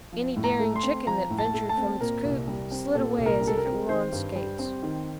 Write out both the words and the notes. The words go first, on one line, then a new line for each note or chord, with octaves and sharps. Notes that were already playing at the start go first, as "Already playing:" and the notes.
Any daring chicken that ventured from its coop slid away as if it were on skates.
F3
A2
A#5
A3
C6
C4
F3 A#5
A2
A5
A3
A5
C4
A#2 A#4
C2
G3
C4
A#2 A4
C2
A#4
G3
A4
A#4
C4
D#3 C5
G2
G3
C4
D#3